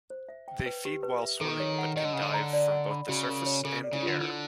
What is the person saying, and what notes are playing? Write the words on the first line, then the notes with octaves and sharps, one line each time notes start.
They feed while swimming but can dive from both the surface and the air.
C5
E5
G5
B4
G4
B4
E5
D#3 A4
C#5
F#5
D#3 D#5
D3
C#3 F#5
D3
A#5
D5
F#5
B5
C#3 F#4
A#4
C#5
C#3 A4
D5
C#3
D3 F4
D3 E4